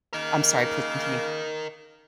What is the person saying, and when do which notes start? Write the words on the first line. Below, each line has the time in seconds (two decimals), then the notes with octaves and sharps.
I'm sorry, please continue.
0.13 C#3 A#3 A#4 D#5